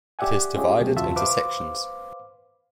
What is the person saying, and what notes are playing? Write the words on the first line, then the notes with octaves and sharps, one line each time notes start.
It is divided into sections.
G4 D5 E5 F#5 G#5
G#3 C#4 F4 G4 G#4
C#2 B2 F#3 A3
E2 C#3 F4 F#4 E5 A5
B4 C5 F5 D6